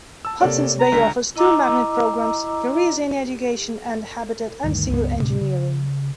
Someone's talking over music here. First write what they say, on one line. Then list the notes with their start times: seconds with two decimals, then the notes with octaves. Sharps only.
Hudson's Bay offers two magnet programs-Careers in Education, and Habitat and Civil Engineering.
0.25 A5 E6
0.41 C3 A#3 G4 A4 C#5 D5
0.80 A#5
0.92 C#2 D3 B6
1.36 E4 D#5 A#5 D6 E6
4.64 D2 G2 D#3
4.90 C#2 G2 G3 B3
5.20 D2 A2 C3
5.41 C#3